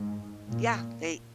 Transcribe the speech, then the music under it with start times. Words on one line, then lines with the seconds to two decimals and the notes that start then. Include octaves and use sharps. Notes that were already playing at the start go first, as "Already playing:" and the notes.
Yeah, they
Already playing: G#2
0.49 A#2